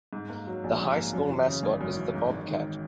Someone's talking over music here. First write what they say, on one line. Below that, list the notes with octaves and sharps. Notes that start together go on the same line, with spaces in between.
The high school mascot is the Bobcat.
G#2
A#3
F#3
A#1
G#2
A#3
F#2
E3
C#3
G#1
F#2
E3
G#2
G#1
D#3